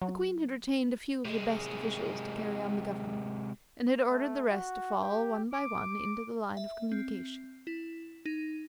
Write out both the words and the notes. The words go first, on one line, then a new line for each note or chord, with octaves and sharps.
The Queen had retained a few of the best officials to carry on the government, and had ordered the rest to fall, one by one, into the line of communication.
F#3
C3 G#3
A3
F#4
G4
D6
E5
C4
E4
D#4